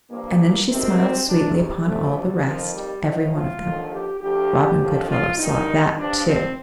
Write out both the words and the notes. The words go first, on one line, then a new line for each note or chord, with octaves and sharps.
And then she smiled sweetly upon all the rest, every one of them. Robin Goodfellow saw that, too.
G2 F3 A#3
D2 C3 D#3 C4
D2 C3 D#3 D4
G3
D2 C3 F3 A3
G3
F2 D#3 F3
G3
A2 F3 D#4
F4
D#2 D3 F3
G4
D2 D3 F3 G4
D#2 D3 F3
F4
G2 D#3 D#4
G2 F3 D4
C4